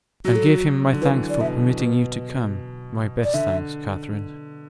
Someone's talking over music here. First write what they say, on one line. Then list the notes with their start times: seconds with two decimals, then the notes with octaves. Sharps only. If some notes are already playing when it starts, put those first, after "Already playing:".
'And give him my thanks for permitting you to come--my best thanks, Catherine.
0.25 F#3 F#4
0.36 A4
0.47 F#4
0.93 D3
1.02 E3 B4
1.29 D5
1.41 B2 E5
1.79 B2
3.24 D5
3.34 D3 E5